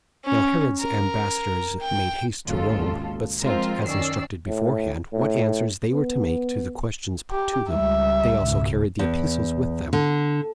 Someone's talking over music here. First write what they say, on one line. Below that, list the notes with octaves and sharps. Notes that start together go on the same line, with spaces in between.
Now Herod's ambassadors made haste to Rome; but sent, as instructed beforehand, what answers they were to make to the questions put to them. They also carried the epistles with them.
C#4
A#4
G5
G#1 D#2 C#3 F4 A4
F3 G#3 C4 F4 A#4 C5
F#2 D#3 C#4 D5 E6 C7
A2
A2
B3
G4
C#2 G3 E5
C#2 G#2 B2
E2
D3